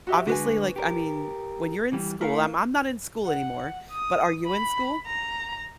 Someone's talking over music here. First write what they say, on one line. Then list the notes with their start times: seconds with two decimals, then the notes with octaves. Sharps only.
obviously, like, I mean, when you're in school I'm I'm not in school anymore, but are you in school?
0.07 F#4 G4 E5
0.27 D3 G#3 F#4 B4 G#5
0.76 G4 A#4
1.93 E3 G3
2.21 A3 E4 A#4 F5
3.25 F#5
3.92 D#6
4.46 B5
5.06 A#5